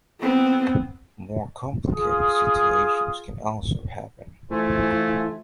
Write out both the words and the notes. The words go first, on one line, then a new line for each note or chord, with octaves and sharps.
More complicated situations can also happen.
B3 C4
F4 G#4 D#6
E3 A3 E4 F4 C5 G#5